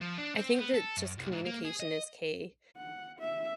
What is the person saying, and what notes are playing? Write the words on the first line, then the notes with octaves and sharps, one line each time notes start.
I think that just communication is key.
F3
D4
C4
B3
A4
F#2
C2
G#2
A#3
G#4
D#5
F#5
E5